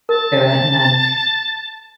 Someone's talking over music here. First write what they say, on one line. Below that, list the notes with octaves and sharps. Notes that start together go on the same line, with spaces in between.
it, and then,
A#4 A5